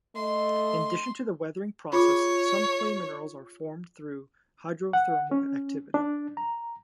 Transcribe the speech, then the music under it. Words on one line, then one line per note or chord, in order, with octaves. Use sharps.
In addition to the weathering process, some clay minerals are formed through hydrothermal activity.
A3 D#5 C6
F4 G#4 C#5
F#5
C#4
D4
A#5